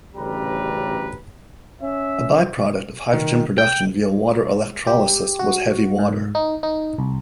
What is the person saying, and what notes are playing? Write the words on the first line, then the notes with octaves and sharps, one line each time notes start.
A by-product of hydrogen production via water electrolysis was heavy water.
A1 D2 C#3 G3 B4 A#5
C#4 E5
D#3
G5
G4
F#4
G#2
D#4
D#4
C2